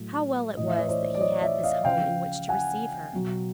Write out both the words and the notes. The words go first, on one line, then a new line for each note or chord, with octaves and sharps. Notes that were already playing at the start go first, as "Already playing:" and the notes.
How well it was that he had this home in which to receive her!
Already playing: A2 F#3
A2 E3 D#5
E5
C#5 D#5
C5 D5
D5
C#5 D#5
D5 E5
D#5 F5
C#3 F3 F5 G5
F#5 G#5
B2 F#3